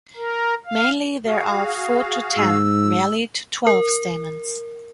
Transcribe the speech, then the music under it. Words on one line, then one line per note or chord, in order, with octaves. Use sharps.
Mainly there are four to ten, rarely to twelve stamens.
A#4
F5
F#4 G#4 F5
G#2 E6
A#4